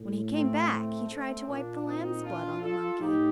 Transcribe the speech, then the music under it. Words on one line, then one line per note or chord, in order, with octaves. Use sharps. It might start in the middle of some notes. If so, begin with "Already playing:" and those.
When he came back he tried to wipe the lamb's blood on the monkey.
Already playing: A2
A3 C4
A3 C4
A3 C4
A#2 A#3 D4
C4 D#4
D4 F4
F4 A4
A2 D#4 G4